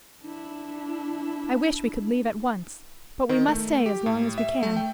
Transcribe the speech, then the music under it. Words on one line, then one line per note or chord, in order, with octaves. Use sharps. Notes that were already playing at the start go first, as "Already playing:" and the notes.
"I wish we could leave at once, but we must stay as long as we can."
D4 E4
D#3
A3
G4
A2
E5
A3
G5